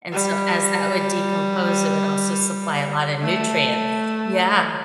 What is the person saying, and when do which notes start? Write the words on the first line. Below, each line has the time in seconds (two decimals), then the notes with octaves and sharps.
and so as that would decompose it would also supply a lotta nutrients. Yeah.
0.12 G3
3.21 A3